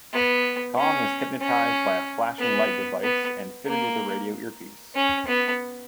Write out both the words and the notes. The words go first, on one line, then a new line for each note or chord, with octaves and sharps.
Kong is hypnotized by a flashing light device and fitted with a radio earpiece.
B3
C#4
C#4
B3
B3
A#3
C#4
B3